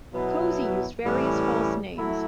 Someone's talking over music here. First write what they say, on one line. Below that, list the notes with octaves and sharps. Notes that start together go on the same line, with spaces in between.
Cosey used various false names.
B2 F#3 B3 E4
A2 E3 G3 C#4
F#3 A3 E4